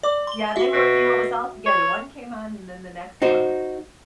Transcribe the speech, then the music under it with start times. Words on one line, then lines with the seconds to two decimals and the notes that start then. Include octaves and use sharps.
Yeah, they were you know, it was all together, one came on and then the next one.
0.03 D5 D6
0.27 C6 G7
0.56 F#4 E5
0.73 B2
1.66 C#5
3.22 D#4 F#4 C5